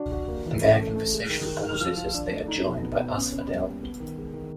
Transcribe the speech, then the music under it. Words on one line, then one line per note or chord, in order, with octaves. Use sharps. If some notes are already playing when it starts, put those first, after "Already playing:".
Their conversation pauses as they are joined by Asphodel.
Already playing: D4 F#4
F#4
A#3
E3
C#4
A3
A3
G#3
D#3
D#3
D#3
F3
F3
D4
A3
D#4
B2
B3
B3
C#4
C#4
G3
A#3
B3
D#3
G#3
D#3